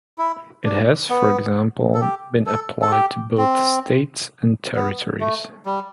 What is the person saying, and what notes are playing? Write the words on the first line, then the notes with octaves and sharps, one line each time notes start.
It has, for example, been applied to both states and territories.
E4
D4
B3
A4
G4
A4
A4
G4
C4
B3
A3
G3